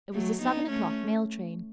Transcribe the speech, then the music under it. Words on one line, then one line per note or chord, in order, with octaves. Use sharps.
It was the seven o'clock mail train.
F#3 A3
B3 D#4
A3 C#4